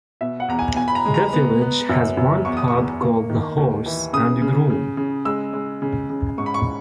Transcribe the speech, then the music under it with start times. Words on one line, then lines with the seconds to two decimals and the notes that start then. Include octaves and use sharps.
The village has one pub called The Horse and Groom.
0.21 B2 E5
0.40 F#5
0.48 E2 A#5
0.59 G#5
0.76 B2 G#5
0.88 B5
0.95 A#5
1.05 G#3
1.14 A#5
1.33 B3
1.61 B3
1.89 F#2
2.17 F#2
2.45 E2 C#6
2.57 D#6
2.68 C#6
2.73 E2
3.02 A#3
3.30 D#3
3.57 D#2
3.86 E3
4.13 C#3 D#6
4.42 C#3
4.70 C#3
4.97 C#3
5.25 G#3 E6
5.53 G#3
5.82 C#3
6.10 C#3
6.38 G#2 C#6
6.46 B5
6.54 C#6